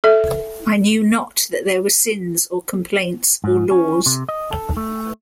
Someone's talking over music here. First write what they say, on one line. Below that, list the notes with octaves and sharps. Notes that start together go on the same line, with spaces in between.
I knew not that there were sins or complaints or laws.
A4 E5
G#2
C#4
C3
D#5
A4
A3